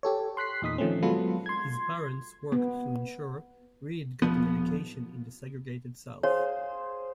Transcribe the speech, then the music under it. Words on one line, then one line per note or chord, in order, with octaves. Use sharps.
His parents worked to ensure Reed got an education in the segregated South.
G4 A4 C#5
C6 F#6 B6 C7
E2 A#2 D#4 D#6 B6
D#3 F3 A3 C4 C#4
F#3 G#3 B3 F4 A4 B4
C6 G#6
B3
D#1 F2 F3 B3
G#4 C5 C#5 F5